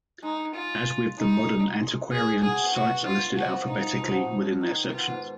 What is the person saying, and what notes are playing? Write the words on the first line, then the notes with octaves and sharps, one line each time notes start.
As with "The Modern Antiquarian", sites are listed alphabetically within their sections.
G#3 D#4
F4
G#3 D#4
G#3
G#3 G#4
F#3 G#4
F#3
B2
F#4
F4
F3 F#4
D#4
F3
F#3
F3
D#3 D#4
B2 F4
G#2